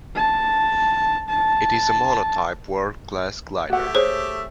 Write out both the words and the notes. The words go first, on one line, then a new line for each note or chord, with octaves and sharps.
It is a monotype World Class glider.
A5
A5
A3 F#4 G4 E5 F#5
G#4 C5 C#5